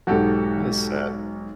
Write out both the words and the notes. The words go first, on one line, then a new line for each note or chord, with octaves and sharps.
That is sad.
B1 G#2 F#4 G4 A4